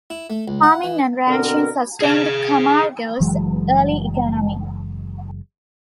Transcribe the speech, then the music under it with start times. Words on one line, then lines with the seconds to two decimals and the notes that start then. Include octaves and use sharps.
Farming and ranching sustained Camargo's early economy.
0.10 E4
0.30 A3
0.48 C#2
0.63 F#5
0.84 E3
1.27 B2 D3 C4 A#4
2.01 G#4 F5
3.20 F#1 E3 F#3 G#3